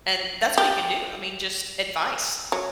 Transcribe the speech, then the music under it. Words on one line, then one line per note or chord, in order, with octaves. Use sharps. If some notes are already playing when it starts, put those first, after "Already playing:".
and, that's all you can do, I mean, just advice.
G4
F#3